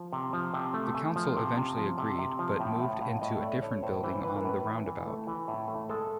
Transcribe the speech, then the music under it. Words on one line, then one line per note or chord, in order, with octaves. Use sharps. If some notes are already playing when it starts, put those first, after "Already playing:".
The Council eventually agreed but moved into a different building on the roundabout.
Already playing: F3
C3
F3
C3
A3
A3 G#5
F3
C3
C3
F3
C3
C3
F3
A2 G5
A2 F#5
A2 F5
A2 D#5
A3 D5
A3 C#5
A2 C5
E3 C5
E3 B4
A#4
A2 B4
E3
E3
A3
E3
A2
A3
G#3 A4